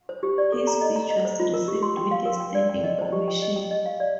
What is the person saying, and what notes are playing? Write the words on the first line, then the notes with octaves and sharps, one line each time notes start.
His speech was received with a standing ovation.
C5
G4
D5
A4
A#5
D#5
A#5
D#5
C5
F4
A#4
G4
C6
G5
F5
A#4
G5
D5
G5
D#5
C5
G4
G5
D#5
G5
D#5
F5
D5